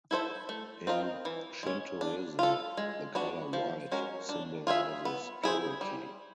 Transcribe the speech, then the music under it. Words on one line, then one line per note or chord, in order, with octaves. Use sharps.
In Shintoism, the color white symbolizes purity.
E4 A4 C5 E5
A3
C4 F4 A#4 D#5
E3
G#3 C#4
D4
F4 A4
G#3
B3 D4 F#4
F3
G#3 C#4 F#4 A#4
D4
F4 G#4 C5 E5
B3
E4 G#4 C5
G3